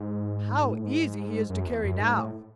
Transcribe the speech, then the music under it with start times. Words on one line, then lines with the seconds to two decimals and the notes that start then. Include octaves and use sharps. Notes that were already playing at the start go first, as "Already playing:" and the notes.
'How easy he is to carry now!
Already playing: G#2
0.72 A2
0.84 G#2
1.50 F#2
1.66 E2
1.83 F#2
2.00 G#2
2.16 A2